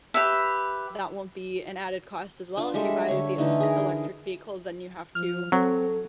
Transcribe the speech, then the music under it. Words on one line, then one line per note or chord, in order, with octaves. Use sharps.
that won't be an added cost as well, if you buy the electric vehicle, then you have to,
G4 B4 E5
D4 F4
G3 G#3 A4 E5
D3 C#5
D3 E3 A3 D#4
G#4 A#4
F3 F6
F#3 C4 A4